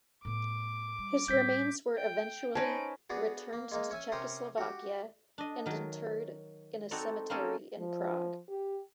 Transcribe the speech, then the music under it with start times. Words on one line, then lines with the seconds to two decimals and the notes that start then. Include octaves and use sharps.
His remains were eventually returned to Czechoslovakia and interred in a cemetery in Prague.
0.25 A2 B3 D6
0.98 G3
1.28 A2 G3 G6 B6
1.98 G5
2.55 C#4 D#4 B4 C5 A5 D7
3.10 B3 D4 F#4 G#4
3.53 A#3
3.72 G#3 A#3 D#4
3.91 C#4 E5 G#5
4.12 C3 C#4 G4 A#4 C5 D#6
4.58 F#4 G4
5.38 D4 D#5
5.66 D#3 F#3
6.91 C4 D#4 F#4 A4 C#5 D5
7.30 A#3 C4 C#4 D#4 G#4 A4
7.78 F3
8.49 G4